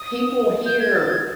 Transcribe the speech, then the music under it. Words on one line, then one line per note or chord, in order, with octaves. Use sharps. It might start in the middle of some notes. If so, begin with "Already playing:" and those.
people here,
Already playing: D#6
G6
G#6
A6
G#6